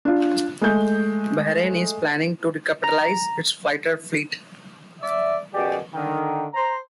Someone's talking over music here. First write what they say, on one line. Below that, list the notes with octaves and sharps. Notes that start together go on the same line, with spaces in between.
Bahrain is planning to recapitalize its fighter fleet.
D4 F4
G#3 A3 G6
A#5
D5 E5
F#2 B2 G4 G#4 D5
D3 D#3
C5 A#5